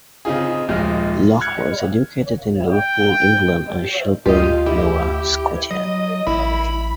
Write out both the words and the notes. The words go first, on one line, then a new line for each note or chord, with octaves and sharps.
Locke was educated in Liverpool, England and Shelburne, Nova Scotia.
C#3 C4 D#4 F4 G#4
D#1 F3 G#3 D#5 F6
F6 F#6 G#6 C#7
G5
D2 F4 G4 D#5
E4 G4
F#3 D#5
A1 E4 B5